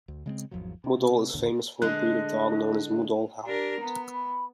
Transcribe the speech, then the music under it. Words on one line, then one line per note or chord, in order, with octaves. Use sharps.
Mudhol is famous for a breed of dog known as the Mudhol Hound.
D2
C#3 G#3 A3 C4
G#1 E2 F3 F#3
C3
A1 D#2 A#2 D3
D3 G#3 D#5 F#6
D4 G4 A#4
B3 A#5
B5